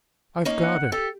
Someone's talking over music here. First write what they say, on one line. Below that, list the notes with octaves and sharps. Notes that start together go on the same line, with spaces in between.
I've got it!'
A#3 C#4 D#4
F#5
G4 A4